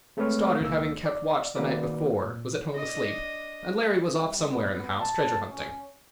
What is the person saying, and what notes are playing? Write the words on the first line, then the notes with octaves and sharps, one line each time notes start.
Stoddard, having kept watch the night before, was at home asleep, and Larry was off somewhere in the house, treasure-hunting.
G#3 A3 C4 B4 C#5 F6
C#2 A#3 E6
D5
D#3 A#3 F#4 A#4 B4 D5
A#2
D4 D#5
G3
B3
A5
C#4